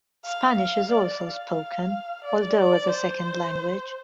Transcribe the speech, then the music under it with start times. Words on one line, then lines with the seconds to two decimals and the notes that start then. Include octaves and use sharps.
Spanish is also spoken, although as a second language.
0.25 F5
0.58 F5
0.91 D5
1.24 F5
2.24 D5
2.58 D5
2.90 C5